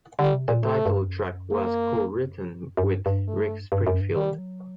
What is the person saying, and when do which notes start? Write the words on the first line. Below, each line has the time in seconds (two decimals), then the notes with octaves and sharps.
The title track was co-written with Rick Springfield.
0.19 D3 G3
0.34 C3
0.48 A#2
0.62 A2 A3
0.86 G2
1.06 F#2
1.51 A#3
1.88 G2
1.95 F#2
2.77 F#2
2.84 G2
3.06 G2
3.28 A3
3.72 G2
3.87 F#2
4.01 G2
4.16 D#3 G3
4.38 F#3